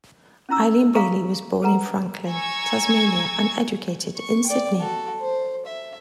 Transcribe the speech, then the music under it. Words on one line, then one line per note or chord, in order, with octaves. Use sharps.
Irene Bailey was born in Franklin, Tasmania, and educated in Sydney.
C#4 D#4 E4 A#5 E6
G#4 F5 G#5 A#5 C#6 D#6
G#4 A4 B4 F#5 A#5
G#5 A#5 C#6 E6 G#6
C#6
D5 G5
F#4 A4
C5
E5